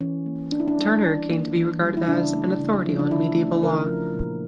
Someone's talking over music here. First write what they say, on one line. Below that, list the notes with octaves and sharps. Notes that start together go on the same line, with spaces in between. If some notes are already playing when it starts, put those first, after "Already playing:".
Turner came to be regarded as an "authority on medieval law".
E3 C#4
A#3
E3 D4
E4
D4
G3
E3
A#3
E3
G3
E4
C#3 D4
A3
C#3
F3
D4
C#3 E4
A3
C#3 A#4
F3
A#2